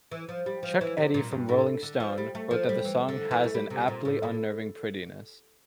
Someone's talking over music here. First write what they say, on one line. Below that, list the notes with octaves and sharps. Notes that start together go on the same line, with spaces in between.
Chuck Eddy from "Rolling Stone" wrote that the song "has an aptly unnerving prettiness".
E3
F3
G3
F3
E3
C3
A#2
G2
A2
D3
F3
G3
A3
F3
G3
E3
D3
E3
A3
G3
C3
A#2
A2
A2